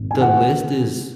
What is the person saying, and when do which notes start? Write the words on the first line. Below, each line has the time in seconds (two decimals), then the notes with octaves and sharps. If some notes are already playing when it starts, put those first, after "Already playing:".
the list is
Already playing: G#1
0.11 D#3 G#5
0.21 F#5